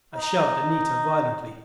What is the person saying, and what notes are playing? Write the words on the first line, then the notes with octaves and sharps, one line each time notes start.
I shoved Anita violently.
D#4